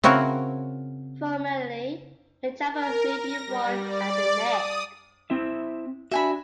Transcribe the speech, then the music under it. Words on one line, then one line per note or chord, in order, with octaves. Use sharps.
Formally, a jabot may be worn at the neck.
C#3 C4 E4 F#4 A#4
A#4
A#6
G3
D5
D#6
C4 E4 E5
D4 F#4 E5 G#5 B5